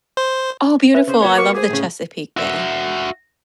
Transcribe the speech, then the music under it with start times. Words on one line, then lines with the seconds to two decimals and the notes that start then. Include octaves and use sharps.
Oh, beautiful. I love the Chesapeake Bay.
0.17 C5
0.94 C#4 B4 E5
1.08 C#3 C5
1.20 A#3 B3 F#4 C#5
1.37 A#4 C#6 D6
1.55 G#4 C5 D6
1.70 A2 C#3
2.37 F#4 E5